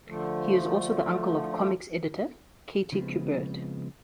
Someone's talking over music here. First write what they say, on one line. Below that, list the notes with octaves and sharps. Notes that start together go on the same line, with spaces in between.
He is also the uncle of comics editor Katie Kubert.
D3 F3 A3
C#3 F3 G#3 B3 C4